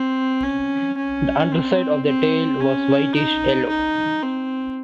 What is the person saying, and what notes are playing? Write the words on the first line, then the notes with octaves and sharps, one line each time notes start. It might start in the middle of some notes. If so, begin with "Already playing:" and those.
The underside of the tail was whitish yellow.
Already playing: C4
C#4
C#4
C4
C4
C#4
D#4
D#4
C4